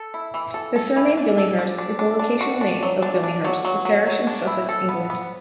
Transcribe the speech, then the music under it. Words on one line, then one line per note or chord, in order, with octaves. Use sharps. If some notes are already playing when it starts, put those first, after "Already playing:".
The surname Billinghurst is a locational name 'of Billinghurst' a parish in Sussex, England.
Already playing: A4
E4
E3
A4
A4
E3
D4
A4
D4
D4
D4
D4
F#4
D4
F#3
D4
D4
F#3
F#3
F#3
F#3
D4
E4
A4
B3
B3